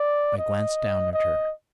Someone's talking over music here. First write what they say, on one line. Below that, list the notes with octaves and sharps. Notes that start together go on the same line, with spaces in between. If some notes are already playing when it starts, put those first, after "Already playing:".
I glanced down at her.
Already playing: D5
D#5
D#5